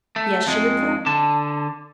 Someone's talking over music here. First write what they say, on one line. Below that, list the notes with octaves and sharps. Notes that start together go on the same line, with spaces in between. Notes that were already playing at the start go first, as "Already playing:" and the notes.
"Yes," she replied.
A3
F2 G#3
D3 A5